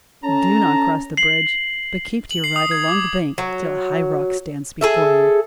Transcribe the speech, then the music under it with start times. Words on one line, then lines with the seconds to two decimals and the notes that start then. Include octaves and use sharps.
Do not cross the bridge, but keep to your right along the bank till a high rock stands before you.
0.25 C#4 A4 A5 A#5
1.17 C7 F#7
2.31 F#7
2.44 C7
2.56 D#6
2.71 G#6
2.88 D6
3.38 F#3
4.81 G#4 A4 E5